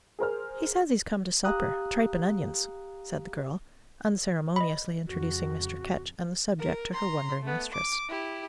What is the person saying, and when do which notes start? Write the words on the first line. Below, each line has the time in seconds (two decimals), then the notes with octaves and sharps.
"He says he's come to supper: tripe and onions," said the girl, unceremoniously introducing Mr. Ketch and the subject to her wondering mistress.
0.19 G#4 A#4 C5 F6
1.44 G4 F5 A#5 D#6 F#6
4.56 D#5 B5
5.07 F2 G#2 C#3 F#4
6.59 A#4
6.93 A#5 C6
7.43 A3 B3
7.73 D6
8.08 E4 G4